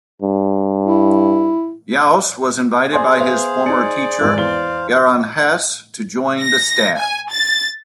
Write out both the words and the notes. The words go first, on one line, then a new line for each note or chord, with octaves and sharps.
Jauss was invited by his former teacher Gerhard Hess to join the staff.
G2
E4
G#4 C5 D5 G#5 C6
B3 B4 E5 F5
D#4 D5 G#5 C#7
G#1 F2 G#3 C5
E2 C5 F5 G7
A#6
G#5
A6